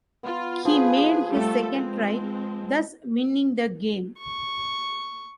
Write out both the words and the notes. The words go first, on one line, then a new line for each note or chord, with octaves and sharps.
He made his second try, thus winning the game.
B3 F4
F3 G#4 B4
G3 A3 A4
G#3 C4
C#6